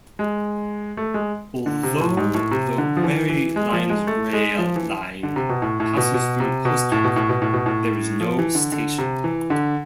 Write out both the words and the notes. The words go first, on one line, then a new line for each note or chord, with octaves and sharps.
Although the Wherry Lines rail line passes through Postwick, there is no station.
G#3
A3
G#3
D3
C3
A2
G#2
A2
C3
D3
F3
E3
E3
G#3
F3
G#3
A3
G#3
F3
E3
D3
C3
B2
A2
A2
B2
B2
C3
B2
A2
B2
A2
B2
A2
B2
A2
F3
E3
D3
D3
C3
E3
D3